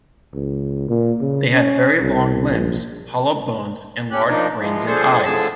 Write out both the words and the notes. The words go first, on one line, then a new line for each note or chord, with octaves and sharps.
They had very long limbs, hollow bones, and large brains and eyes.
C#2
A#2
C#3
C#4
C2
A#1
C#4 G4 F#6
F3 A#3 D4 D#4
E3 F3 G#3
F3 D4 G#4 A4 C5
A2 D3 F3 G#4 A5 E6